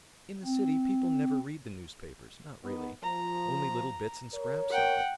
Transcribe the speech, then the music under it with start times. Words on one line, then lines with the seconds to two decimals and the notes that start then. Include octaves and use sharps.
In the city, people never read the newspapers, not really, only little bits and scraps of them.
0.45 C4
2.63 D#3 B3
3.03 F3 A#5
4.33 A#4 C#5
4.70 F#5 G5